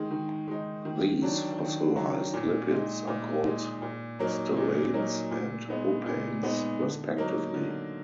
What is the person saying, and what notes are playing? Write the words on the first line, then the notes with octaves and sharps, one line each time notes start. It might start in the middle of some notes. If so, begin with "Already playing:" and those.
These fossilized lipids are called steranes and hopanes, respectively.
Already playing: D#3 G#3 D#4
D#3
G#3 D#4
D#3
F#3 D4
D#3
F#3 D4
A#2
G#3 D#4
A#2
G#3 D#4
A#2
F#3 A#3 D#4
A#2
F#3 A#3 D#4
A#2
G#3 B3 D#4
A#2
G#3 B3 D#4
D3
F#3 A#3 D#4
D3